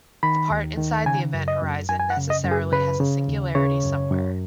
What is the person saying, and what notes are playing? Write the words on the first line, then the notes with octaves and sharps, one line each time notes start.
The part inside the event horizon necessarily has a singularity somewhere.
D#3 B5
D#2
D#3
C#3 G#5
F#2
D#5
F#2
F#2 G#5
G#5
F#5
C#3
D#5
F#2
G#4
C#3 B4
C#3
D#2
C#3 C#5
F#2
F#2